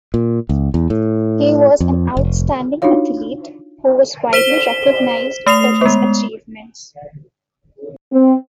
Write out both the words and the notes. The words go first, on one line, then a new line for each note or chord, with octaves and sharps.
He was an outstanding athlete who was widely recognized for his achievements.
A#2
C#2
E2
A2
F2
F1
D4 D#4 F4 F#4 C#5 F5
C5 B6 E7 G7
A3 D#6 C7 F7
G#3 B3
C4